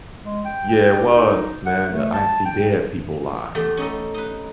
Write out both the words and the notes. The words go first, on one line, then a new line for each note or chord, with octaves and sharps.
Yeah, it was, man, the, "I see dead people," line.
G#3
G5
G5
G4
D#4
F#5
A3
A5
G5
E2 A3 G4
C#4 D#4 A4
D#4 B4